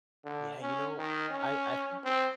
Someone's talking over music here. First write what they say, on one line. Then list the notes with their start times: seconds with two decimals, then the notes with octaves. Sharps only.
Yeah, you know, I I think that, uh
0.25 D3
0.62 C#4
0.98 D#3
1.30 C#4
2.04 C4